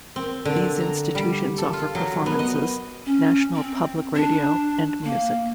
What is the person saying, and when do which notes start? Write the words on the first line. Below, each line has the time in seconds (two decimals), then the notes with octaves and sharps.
These institutions offer performances, National Public Radio, and music.
0.16 C4
0.45 D3
0.80 A#5
1.15 G3
1.58 A4
1.73 F4
1.95 F#3
2.26 B3
2.39 D#5
3.06 C#4
3.55 C4
4.15 D4
5.04 A#3